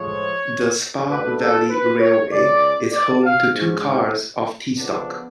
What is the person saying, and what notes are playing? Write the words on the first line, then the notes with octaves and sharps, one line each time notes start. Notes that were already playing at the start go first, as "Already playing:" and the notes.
The Spa Valley Railway is home to two cars of T-Stock.
Already playing: A2 F3 G#3 C#5
B2 A3 D4 B4
A4
B4
C#5
C#2 C#3 G#3 C#4 D5
D5
F5
G#2 G#3 C#4
C#3 F3 B3 D4